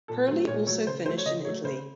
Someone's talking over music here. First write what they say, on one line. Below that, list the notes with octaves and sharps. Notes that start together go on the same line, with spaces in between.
Purley also finished in Italy.
A#2 A4
F#3 A3 C5
A#2 C#5
F#3 A3 C#5
C#3 C5
F#3 A3 C5
C#5
C#3 D#5
F#3 A3 C#5
C#3 C5